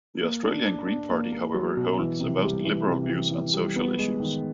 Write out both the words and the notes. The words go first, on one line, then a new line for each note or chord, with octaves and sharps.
The Austrian Green Party, however, holds the most liberal views on social issues.
A#3
D4
D4
D4
A#3
A#3
F#3
B2
E3
C3
G3
E3
C3
E3
E3
G3
B3
G#3
D#3